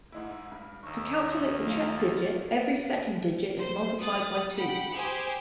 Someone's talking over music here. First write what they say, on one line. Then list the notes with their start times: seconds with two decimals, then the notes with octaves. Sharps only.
To calculate the check digit every second digit is multiplied by two.
0.12 G#2 G#3 E4
0.52 G2
0.83 D#2 C#6 E6
1.65 A#1 F#2 A3 F4
1.98 A6
3.58 C5
3.98 D#6 F#6 A6
4.55 F#5 G5 B5
4.93 G4 G#4 C5 G#5